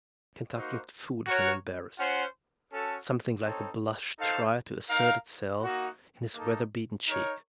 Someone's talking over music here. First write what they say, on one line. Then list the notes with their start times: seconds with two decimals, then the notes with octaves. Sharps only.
Kentuck looked foolish and embarrassed. Something like a blush tried to assert itself in his weather-beaten cheek.
0.54 A#3 D#4 F#4 C5
1.26 F#4 A#4 C#5 F#5
1.99 C#4 F4 C5 F#5
2.72 C#4 F#4 A4
3.44 C4 D#4 A4 C#5
4.17 D#4 A4 C5 F5
4.89 D#4 A#4 F5
5.62 A#3 D#4 F#4
6.34 A#3 D#4 A4
7.08 D#4 A#4 C#5